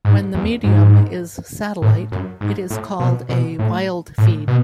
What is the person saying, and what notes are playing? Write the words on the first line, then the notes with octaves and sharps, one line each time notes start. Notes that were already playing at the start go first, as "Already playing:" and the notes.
When the medium is satellite, it is called a wildfeed.
G#2
E2
G#2
A2
F#2
G#2
A2
B2
B2
A2
A2
B2